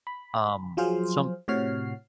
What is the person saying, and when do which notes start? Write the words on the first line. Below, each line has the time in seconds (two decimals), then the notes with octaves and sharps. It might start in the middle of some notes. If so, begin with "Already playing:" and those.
Um, some
0.07 B5
0.77 F3 F#3 F4 G#4 C5 F5
1.48 A2 C3 F#4 C#5 F6 C7